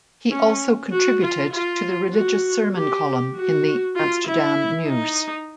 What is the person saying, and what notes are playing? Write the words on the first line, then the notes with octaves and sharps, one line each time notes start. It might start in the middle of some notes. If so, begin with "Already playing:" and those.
He also contributed to the religious sermon column in the "Amsterdam News".
C#4
F#4
F4
F4
F#4
G4
F#4
F4
E4
D#4